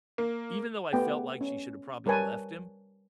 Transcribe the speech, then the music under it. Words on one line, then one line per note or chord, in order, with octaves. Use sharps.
even though I felt like she should have probably left him,
A#3
A3 B3 G4 G5
C#4
G3 A#4 B4 C#5 G#5 A5